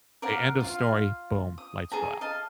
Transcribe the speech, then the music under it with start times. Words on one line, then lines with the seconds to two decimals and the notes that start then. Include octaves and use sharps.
Say, end of story, boom, lights go out.
0.22 A#4 D5 F5 F#5
0.61 F4 F5
1.58 D#6
1.92 G#4 A4 A#5
2.21 D#5 F5 A5